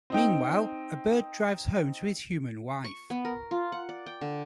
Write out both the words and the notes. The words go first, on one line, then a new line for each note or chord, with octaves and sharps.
Meanwhile, a bird drives home to his human wife.
C4 D#4 G5
C#6
B3
A#4
F4
F#5
D5
G5
D3